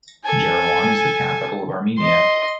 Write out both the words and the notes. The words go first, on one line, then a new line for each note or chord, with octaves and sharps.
Jerewan is the capital of Armenia.
A4 G#5
D#5 C6